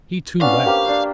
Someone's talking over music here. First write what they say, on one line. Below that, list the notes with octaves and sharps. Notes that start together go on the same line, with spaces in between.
He, too, laughed.
B3 C#4 D4 F5
A#3 G4 C5
D4 C5